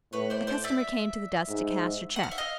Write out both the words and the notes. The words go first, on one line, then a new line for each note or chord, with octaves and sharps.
A customer came to the desk to cash a cheque.
A2 B4 C#5
C5 D5
C5 D5
D5 E5
G#2
F#5
F5
E5
D#5 F5